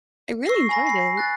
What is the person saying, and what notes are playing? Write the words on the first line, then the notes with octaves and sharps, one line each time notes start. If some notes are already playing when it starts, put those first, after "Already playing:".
I really enjoyed it.
C#6 E6 A#6 C7
G#5 B5 A#6
C7
F#6 A6 A#6